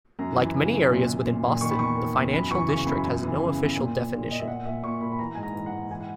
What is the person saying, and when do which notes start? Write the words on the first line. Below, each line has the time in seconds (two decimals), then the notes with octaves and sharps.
Like many areas within Boston, the Financial District has no official definition.
0.19 F#2 A#5
0.36 E3
0.55 C#3
0.73 F#2
0.91 A#2
1.08 A#2
1.26 A#2
1.44 A#2
1.61 D#3 C#6
1.70 B5
1.79 E2 C#6
1.97 D#3
2.16 E2
2.33 F#2 B5
2.51 E3 C#6
2.68 C#3 C#6
2.87 F#2 B5
3.04 E2 G#5
3.23 E3
3.41 C#3
3.58 E2
3.77 A#2
3.94 A#2
4.12 A#2
4.30 A#2 D#5
4.40 E5
4.48 A#2 F#5
4.65 A#2 E5
4.83 A#2 C#6
5.01 A#2 B5
5.12 B5
5.19 E3 A#5
5.35 G#2 G#5
5.43 A#5
5.55 E3
5.66 F#5
5.73 G#2
5.91 E3 G#5
6.01 F#5